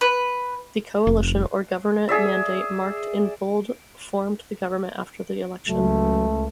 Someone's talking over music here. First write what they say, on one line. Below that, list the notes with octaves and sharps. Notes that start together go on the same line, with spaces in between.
The coalition or government mandate marked in bold formed the government after the election.
B4
F1
G#4 D5 E5
C#2 F#3 A3